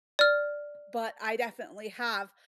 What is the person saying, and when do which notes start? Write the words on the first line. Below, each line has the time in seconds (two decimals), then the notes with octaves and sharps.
but I definitely have.
0.19 D5 F6